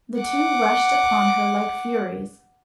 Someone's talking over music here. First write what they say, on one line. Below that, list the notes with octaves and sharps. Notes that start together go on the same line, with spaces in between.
The two rushed upon her like furies.
F#5 D6